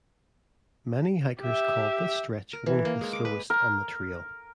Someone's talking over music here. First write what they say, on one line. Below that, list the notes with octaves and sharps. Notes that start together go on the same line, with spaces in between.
Many hikers call this stretch one of the slowest on the trail.
G4 E5
A#4
E3
A#3
G#3
D6
B4
A#4